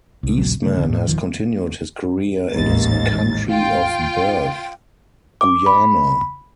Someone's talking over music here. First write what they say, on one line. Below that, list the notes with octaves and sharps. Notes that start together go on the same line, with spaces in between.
Eastman has continued his career in his country of birth, Guyana.
C2
D#1 A#1 F#3
C#3 A3
D1 D3
A2
D#1 D#3 F3
A1 D#2 G#2 A6
F4 G5
D6
B5